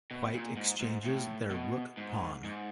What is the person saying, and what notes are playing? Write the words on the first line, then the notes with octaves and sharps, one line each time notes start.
White exchanges their rook pawn.
B2
A#2
G#2
G#2
A2
B2
G#2
G#2